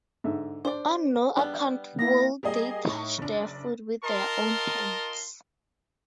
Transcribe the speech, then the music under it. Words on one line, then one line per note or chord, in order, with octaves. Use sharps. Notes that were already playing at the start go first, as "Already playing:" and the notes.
On no account will they touch their food with their own hands.
G#2 D3 E5
D4 C5 D5
G3 B3 D4
A#3 E4 A#6
G3 A#3 G#4 D#5
A2 D#4 C#6
F#1 D4
F4 A#4 D#5 A5 C6